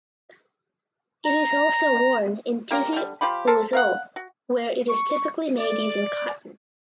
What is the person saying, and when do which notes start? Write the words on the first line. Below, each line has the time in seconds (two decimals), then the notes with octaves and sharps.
It is also worn in Tizi Ouzou where it is typically made using cotton.
1.25 A#5
2.71 A#3 F4 G4 A#4
2.93 D3 G3
3.21 F3 F4 G4 B5
3.47 A4 A#4 C5 A5
3.73 A#4 F5 F#5
4.16 F#4
4.88 C#6
5.58 D5